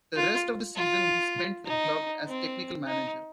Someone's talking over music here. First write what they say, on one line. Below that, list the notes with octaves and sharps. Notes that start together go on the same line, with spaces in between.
The rest of the season he spent with the club as technical manager.
F4
F4
D#4
C4
D#4